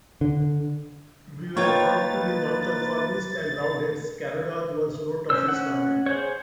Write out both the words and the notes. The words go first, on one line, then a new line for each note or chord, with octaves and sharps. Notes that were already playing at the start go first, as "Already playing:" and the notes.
"We were proud to be nonconformists and Roundheads", Caradon once wrote of his family.
D3
A#3 D#4 F4 B4 C#5 G5 A6
C#4 C5 E6
C#4 F#5
G#4 C5 C#5